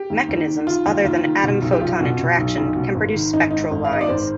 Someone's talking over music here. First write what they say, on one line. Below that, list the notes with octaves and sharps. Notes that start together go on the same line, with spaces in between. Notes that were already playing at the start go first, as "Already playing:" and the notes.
Mechanisms other than atom-photon interaction can produce spectral lines.
Already playing: G4
D#2
D#2
D#3
D#3 F4
D#2 F4
D#2 F4
D#3
B2
B1
G4
B1 F4
B2
B2
B1
B1
B2
G#1
D#3
G#1 D#4
G#2 D#4
G#1
F5
D#3 D#5
D5
G#1 C5